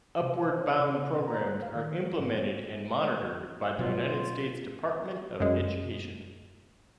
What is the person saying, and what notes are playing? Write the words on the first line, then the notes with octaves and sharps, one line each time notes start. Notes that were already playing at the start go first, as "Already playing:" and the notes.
Upward Bound programs are implemented and monitored by the United States Department of Education.
C3
C5
C#5
C#3
B2
A#5
F#6
F5
D#3
F3
G#2
B2 F#3 F4
F#2 G#3